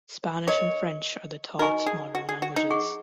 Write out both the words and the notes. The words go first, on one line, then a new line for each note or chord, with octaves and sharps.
Spanish and French are the taught modern languages.
A#4 C#5 D#5 A#5 C#6
D#4 F#4 A#4 D#5 G#5 C#6
G#4
F#4
G#4
F#4
D#4
G#4 F#5 C#6